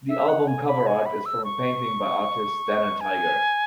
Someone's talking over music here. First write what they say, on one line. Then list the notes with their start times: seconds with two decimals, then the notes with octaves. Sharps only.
The album cover art is from a painting by artist Dana Tiger.
0.09 E5
0.28 F#5
0.47 G#5
0.67 B5
0.87 G#5
1.06 B5
1.26 E6
1.44 C#6
3.01 G#5